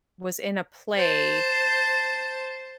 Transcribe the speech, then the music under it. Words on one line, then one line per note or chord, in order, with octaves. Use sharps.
was in a play,
C5 A5